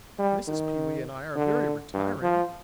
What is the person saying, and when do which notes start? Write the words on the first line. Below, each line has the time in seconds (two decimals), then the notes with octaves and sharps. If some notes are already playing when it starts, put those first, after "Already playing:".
Mrs. Pewee and I are very retiring.
0.18 G3
0.48 D#3
1.35 D3
1.94 G2
2.22 F3